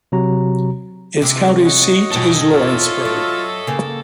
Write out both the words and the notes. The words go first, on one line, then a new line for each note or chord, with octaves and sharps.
Its county seat is Lawrenceburg.
C3 F#3 F#4 A#5
C3 G#3 G#4 E5 D6
C#5 D#5 F#5
E2 B2 A4 G5
F4 C#5 D#5 E5
F#3
C#3 A#3